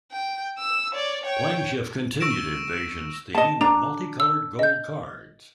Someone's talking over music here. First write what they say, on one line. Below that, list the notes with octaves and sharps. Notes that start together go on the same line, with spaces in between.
Planeshift continued Invasion's theme of multi-colored "gold" cards.
G5
E6
C#5 D5
C#5 G5
C#6 E6 A#6 D7 E7
D#5 A5
D4 A#5
E6
D#5 G6